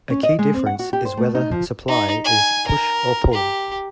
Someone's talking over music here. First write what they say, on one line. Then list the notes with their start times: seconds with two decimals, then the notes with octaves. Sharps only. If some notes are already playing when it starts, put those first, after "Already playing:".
A key difference is whether supply is 'push' or 'pull'.
0.10 C#4
0.23 D#5
0.39 G#3
0.54 C4
0.66 F#5
0.79 F#4
0.93 G4
1.05 C5
1.17 A3
1.35 D#4
1.51 F3
1.87 D#4
2.24 G#5
2.67 A#4
3.33 G4